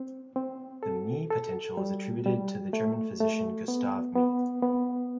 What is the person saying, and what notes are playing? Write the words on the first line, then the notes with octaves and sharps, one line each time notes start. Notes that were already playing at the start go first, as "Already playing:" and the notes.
The Mie potential is attributed to the German physician Gustave Mie.
Already playing: C4
C4
A4
A4
G3
G3
A3
A3
B3
B3
B3